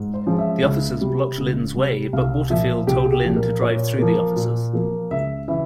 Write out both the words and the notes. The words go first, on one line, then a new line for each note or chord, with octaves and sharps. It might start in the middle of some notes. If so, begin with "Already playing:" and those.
The officers blocked Lynn's way, but Waterfield told Lynn to drive through the officers.
Already playing: G#2
C5
F3 G#3 C#4
E5
C#2
C3 G3
C#2
C3 G3
C2 F5
A#2 F3 E5
C2 G4
G#4
G4
A#2 F3
A#4
A#2 C#5
F3 A#3
A#2
F3 A#3
C#2 E5
C#3 E3 E5